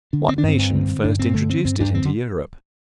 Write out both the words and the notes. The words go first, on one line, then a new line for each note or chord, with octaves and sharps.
What nation first introduced it into Europe?
D3 D4
D3 C4
D4
G2
C4
G2
D3
D3
G2 D4
G2 C4
D3 A3
D3 C4
G2 C4
G2 D4
D3 C4
D3